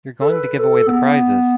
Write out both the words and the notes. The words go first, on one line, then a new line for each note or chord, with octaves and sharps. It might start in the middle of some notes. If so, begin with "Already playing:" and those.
You're going to give away the prizes.
A4
B4
A4
B3